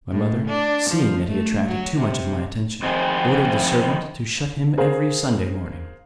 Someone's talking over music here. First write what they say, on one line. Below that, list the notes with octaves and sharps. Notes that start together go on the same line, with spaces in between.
My mother, seeing that he attracted too much of my attention, ordered the servant to shut him every Sunday morning.
A2
D4
F3
A3
F#3
C3
F2 D#3 C4 D#4 G#4
G#4 A#4 C5 F5